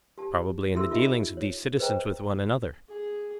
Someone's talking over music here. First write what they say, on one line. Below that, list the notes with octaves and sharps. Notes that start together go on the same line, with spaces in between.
Probably in the dealings of these citizens with one another.
G4 A5
E4 G4 A4 E5 C6 E6
D#4 F4 G4 A4 D#5 E5
C#5
G#4 B4 C5 D#5 G5 A#5
G#4